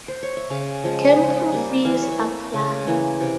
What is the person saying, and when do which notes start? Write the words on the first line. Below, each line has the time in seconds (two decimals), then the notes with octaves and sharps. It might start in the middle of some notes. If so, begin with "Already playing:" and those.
Camping fees apply.
Already playing: A#4
0.08 C5
0.23 C#5
0.37 E5
0.50 C#3 F5
0.84 F3 G#3
1.17 C#3
1.52 G3 A#3
1.85 E3 F5
1.94 E5
2.02 C#5
2.12 E5
2.19 A#3
2.53 C#3
2.87 E3 A#3
3.20 C3